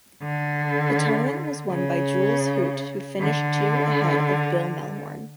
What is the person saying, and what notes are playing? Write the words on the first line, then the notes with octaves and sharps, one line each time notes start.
The tournament was won by Jules Huot who finished two ahead of Bill Mehlhorn.
D3
C#3
D3